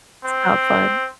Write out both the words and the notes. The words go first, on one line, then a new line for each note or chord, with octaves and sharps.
It's not fun.
C4